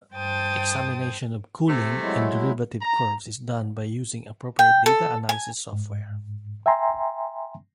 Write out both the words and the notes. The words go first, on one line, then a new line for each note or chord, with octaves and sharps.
Examination of cooling and derivative curves is done by using appropriate data analysis software.
G2 C5 G5 A5 D#6 A6
C3 A3
F#3 G#3 E4
A#5
G5
A4
G#5
G#2
E5 G5 G#5 A#5 C6